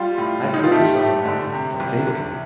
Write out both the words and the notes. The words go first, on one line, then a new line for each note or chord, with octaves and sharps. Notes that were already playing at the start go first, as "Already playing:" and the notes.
I couldn't, somehow, for thinking.
Already playing: G3 F4
A2
G3
D#4
F4
A3 G4
A3
D3
C3
C2
C2